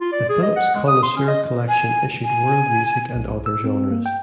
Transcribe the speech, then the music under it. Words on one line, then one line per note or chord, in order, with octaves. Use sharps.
The "Philips Connoisseur Collection" issued world music and other genres.
F4
D5
G#4
D#5
F#5
G#3
D#6
C6
C#4
D#5
G#5
G#5
B1
E6
C4
A#3
G5